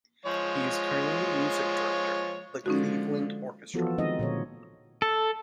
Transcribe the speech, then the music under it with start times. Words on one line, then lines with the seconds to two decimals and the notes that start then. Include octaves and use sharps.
He is currently music director of the Cleveland Orchestra.
0.26 F3 G#3 C#5
2.66 D3 F3 G#3 C#4 D#4 F#4
3.74 E3 F3 B3 F4 F#4 A4
3.98 D#3 G#3 C4 D#4 D#5
4.19 A#2 D3 C#5
5.02 A4